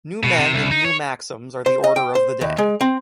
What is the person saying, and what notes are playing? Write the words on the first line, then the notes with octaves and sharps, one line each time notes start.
New men and new maxims are the order of the day.
B2
C3
C2
D#4
C#5
C5
D#5
G5
C5
D#2
G#3
C4